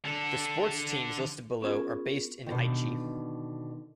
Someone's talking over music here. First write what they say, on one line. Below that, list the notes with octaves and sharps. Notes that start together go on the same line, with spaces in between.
The sports teams listed below are based in Aichi.
D3 A4
B3 C#4 F4 G#4 A#4
B2 D3 D#3